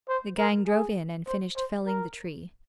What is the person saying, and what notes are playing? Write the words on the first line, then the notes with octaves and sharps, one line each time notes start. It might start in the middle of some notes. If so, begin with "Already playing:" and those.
The gang drove in and finished felling the tree.
C5
A#4
G#4
C5
C5
A#4